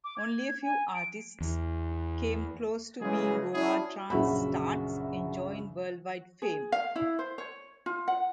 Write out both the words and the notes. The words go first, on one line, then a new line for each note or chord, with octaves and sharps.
Only a few artists came close to being Goa trance "stars", enjoying worldwide fame.
D6
G#6
G#5
D7
E2
C#3 E3 F#3 G#3 G#4
C#4 D4 E4 F#4 G#4
A#1 F#2 C#3 F#4 E5 B5
G#4
F5
E4
C5
C#5
F4
F#5